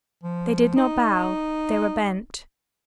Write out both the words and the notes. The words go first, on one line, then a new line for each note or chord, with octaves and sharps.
They did not bow, they were bent.
F3
D#4